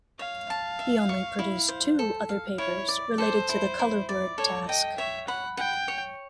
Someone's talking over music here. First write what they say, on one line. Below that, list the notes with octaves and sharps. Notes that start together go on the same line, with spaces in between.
He only produced two other papers related to the color-word task.
C#5 F5
A5
E5
C#6
E4
C5
A4
F5
E4 C#5
D5
A4 C5
E4
E4
D5
A4 C#5
D#5 G5
C#5 E5
F#5 B5
F#5 G5
C#5